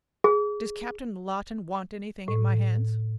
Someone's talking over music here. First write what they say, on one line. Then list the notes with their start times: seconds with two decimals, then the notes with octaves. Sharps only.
"Does Captain Lawton want anything at my hands?"
0.24 G#4
2.28 A2